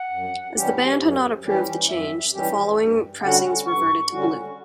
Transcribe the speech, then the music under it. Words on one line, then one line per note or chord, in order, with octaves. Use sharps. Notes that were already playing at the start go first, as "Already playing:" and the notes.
As the band had not approved the change, the following pressings reverted to blue.
Already playing: F#5
F#2
E3 G3 C#4 G4
F#2
E3 G3 C#4 G4
F#2 E5
E3 G3 C#4 G4
G2
D3 G3 C#4 F#4 F#5
G2 C#6
D3 G3 C#4 F#4